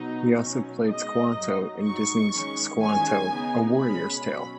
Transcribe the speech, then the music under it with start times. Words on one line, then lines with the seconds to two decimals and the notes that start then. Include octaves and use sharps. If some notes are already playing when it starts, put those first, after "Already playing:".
He also played Squanto in Disney's Squanto, a Warrior's Tale.
Already playing: B2 F#3 B3 D#4
0.38 B2 F#3 C#4
0.87 B2 G#3 D#4 D#5
1.36 F#2 F#3 D#4
1.84 G#2 F#3 D#4 C#6
2.33 D#3 G#3 C#4
2.81 D#3 G#3 C#4 G#5
3.29 C#3 B3 D#4
3.77 B2 G#3 C#4 B5
4.25 B2 F#3 C#4